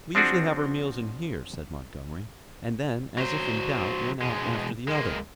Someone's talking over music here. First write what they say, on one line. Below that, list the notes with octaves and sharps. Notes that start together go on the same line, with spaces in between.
"We usually have our meals in here," said Montgomery, and then, as if in doubt, went out after the other.
F3 C4 D4 F#4 G#4
F#3 C5
B2 G#3
G#3 A#3